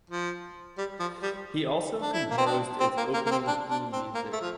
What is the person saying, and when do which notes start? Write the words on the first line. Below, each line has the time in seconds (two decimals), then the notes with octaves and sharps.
He also composed its opening theme music.
0.10 F3
0.78 G3
0.99 F3
1.23 G3
2.02 D4
2.13 E4
2.31 A#3
2.38 C4
2.47 D4
2.80 C4
2.97 A#3
3.14 A#3
3.27 A#3
3.31 C4
3.47 D4
3.71 D4
3.93 C4
4.15 A#3
4.33 A3
4.41 F3